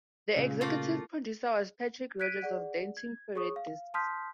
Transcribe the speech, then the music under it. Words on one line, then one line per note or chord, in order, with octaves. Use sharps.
The executive producer was Patrick Rodgers of Dancing Ferret Discs.
A#2 C#3
A3 A#3 F4
F#6 G#6 B6 D7 D#7
G#4 D5 F#5
G#6
G#4 C#5 C#6 D#6
F5
A5 C6 D#6 F6 G6 B6